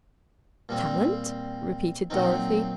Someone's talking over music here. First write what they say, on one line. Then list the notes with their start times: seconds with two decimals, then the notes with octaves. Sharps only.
"Talent?" repeated Dorothy.
0.69 A#2 G3 C4
2.10 A#2 F#3 C4 D#4